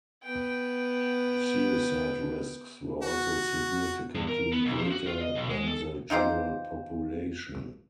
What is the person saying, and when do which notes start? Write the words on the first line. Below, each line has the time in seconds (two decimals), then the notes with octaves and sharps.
Suicide risks were also significantly greater than the general population.
0.23 B3 G5
3.03 F#4
4.15 G2
4.28 A#4
4.52 B3
4.66 B1
4.78 F3
4.91 F#4
5.07 F4
5.21 D#5
5.35 B1
5.49 G#3
5.67 A4
6.10 D#4 F4 G4 C5